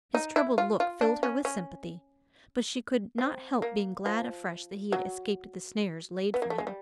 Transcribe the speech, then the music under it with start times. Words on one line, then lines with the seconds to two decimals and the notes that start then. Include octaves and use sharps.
His troubled look filled her with sympathy, but she could not help being glad afresh that he had escaped the snares laid for him.
0.14 D#4
0.36 E4
0.58 F4
0.80 F4
1.01 D4
1.23 C#4
1.45 C#4
3.18 C4
3.62 A#3
4.06 F3
4.92 F#3
6.34 B3
6.42 A#3
6.50 A3
6.58 G#3
6.67 G3